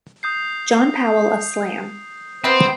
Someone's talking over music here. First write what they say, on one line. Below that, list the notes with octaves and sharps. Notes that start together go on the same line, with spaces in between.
John Powell of Slam!
D#6 G6 C7
C3 B3 C4 C5 C7